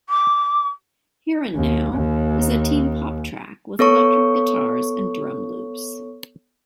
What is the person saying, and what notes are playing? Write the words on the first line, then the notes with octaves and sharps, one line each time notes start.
"Here and Now" is a teen pop track with electric guitars and drum loops.
D6
D#2
D#2
B3 A4 C#5 C#6